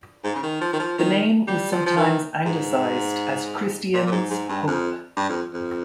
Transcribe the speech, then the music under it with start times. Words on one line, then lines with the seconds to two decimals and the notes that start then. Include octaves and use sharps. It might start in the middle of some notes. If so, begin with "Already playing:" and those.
The name was sometimes anglicized as Christian's Hope.
0.24 G#2
0.36 C#3
0.43 D#3
0.61 F3
0.73 D#3
0.80 F3
0.99 D#3
1.48 G3
1.72 F3
1.86 F3
1.97 D#3
2.46 G#2
3.94 A#2
4.07 A#2
4.12 G#2
4.31 G#2
4.49 G2
4.68 F2
5.17 G2
5.29 F2
5.54 F2